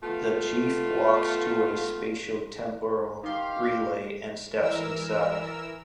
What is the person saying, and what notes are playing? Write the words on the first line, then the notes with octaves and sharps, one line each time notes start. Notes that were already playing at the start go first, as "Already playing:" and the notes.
The Chief walks to a spatio-temporal relay and steps inside.
A3 B3 F4
D#3 G4 F5 C6
E3 A#4 E6